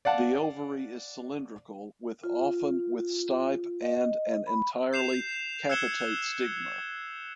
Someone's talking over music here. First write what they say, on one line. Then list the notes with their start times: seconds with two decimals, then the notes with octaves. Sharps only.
The ovary is cylindrical with often with stipe and an entirely capitate stigma.
0.05 D5 F5 F#5 A5
2.24 F4
3.81 D#5
4.47 B5
4.93 G6 C7 E7 F7
5.69 E6 F#6 G#6 C#7 E7 G7